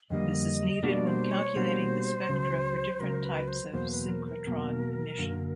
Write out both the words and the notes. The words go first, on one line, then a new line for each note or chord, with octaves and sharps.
This is needed when calculating the spectra for different types of synchrotron emission.
F2 D3 G3 A#3 D#5
B2 G3 A#3 D4 F#4 D5
C5
C#5
B2 G3 A#3 D4 F#4 C5
C#2 C#3 F#3
C#2 C#3 F#3 A#4
B4
C5
E2 B2 F#3 A#3 C5
B4
A#4
A#4
E2 B2 F#3 A#3
F#2 D3 F#3 A#3